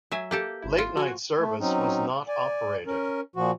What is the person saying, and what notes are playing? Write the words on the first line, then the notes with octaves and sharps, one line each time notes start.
Late night service was not operated.
F#3 E5 G#5
A#3 G4 A4
G#1 E4
F4
F3 F#4 G#5
A3
F#3 C4 C#4 D#4
D5 G#5
C#4 A#4
A#2 F3 F#4